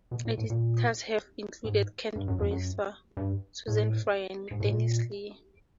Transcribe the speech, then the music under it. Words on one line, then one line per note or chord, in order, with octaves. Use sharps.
Editors have included Kent Brewster, Susan Fry, and Denise Lee.
B2
A#2
A2
A#2
G#2
G2
F#2
F2
F#2
G2
A2
G#2
A2
A#2